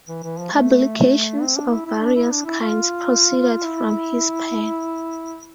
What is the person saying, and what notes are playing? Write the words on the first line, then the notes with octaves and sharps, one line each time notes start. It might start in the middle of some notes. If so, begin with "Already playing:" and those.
Publications of various kinds proceeded from his pen.
E3
E3
F3
A3
C4
D4
E4
E4
D4
E4
D4
E4
F4
E4